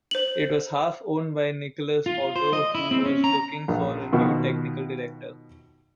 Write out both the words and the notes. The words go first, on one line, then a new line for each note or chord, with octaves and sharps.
It was half-owned by Nikolaus Otto, who was looking for a new technical director.
C5 F#7
F4
C5
D#5
E4
C4
C#4
A#5
A#1
B2 D#3 F3